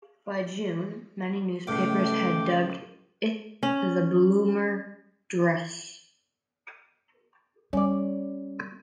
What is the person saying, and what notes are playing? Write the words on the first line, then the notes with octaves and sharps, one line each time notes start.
By June many newspapers had dubbed it the "Bloomer dress".
C#2 A2 A3 G5 D6
C#4
G3 C#4 D5